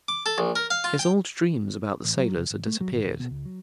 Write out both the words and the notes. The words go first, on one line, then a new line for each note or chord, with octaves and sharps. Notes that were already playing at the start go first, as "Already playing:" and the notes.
His old dreams about the sailors had disappeared.
D6
A4
A#1
A#4
F5
F4
G5
A1
F#3
F1
G#1
A3
F#3
G#1
D#1
B2
C#2
F#3